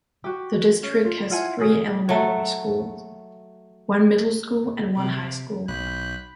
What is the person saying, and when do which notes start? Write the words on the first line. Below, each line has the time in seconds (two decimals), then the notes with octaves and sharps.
The district has three elementary schools, one middle school and one high school.
0.24 F#4 G4
0.53 F#4
0.83 C#4
1.05 F4
1.30 E4 F4 F#5 G#5
1.58 C#4 F#4 G#4
2.09 F#3 A3
4.97 C3
5.68 B1 B5 F#6 G6